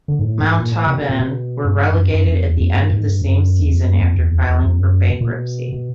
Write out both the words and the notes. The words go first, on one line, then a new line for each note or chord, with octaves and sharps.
Montauban were relegated at the end of the same season after filing for bankruptcy.
D3
G#2
A2
G#2
A#2
A2
C3
B2
A#2
B2
G2
G2
F#2
F#2
F2
E2
F2
G2
G#2
G2
F#2
E2
F2
F#2
F2
E2
E2
E2
F2
F#2
B2
A#2
B2
B2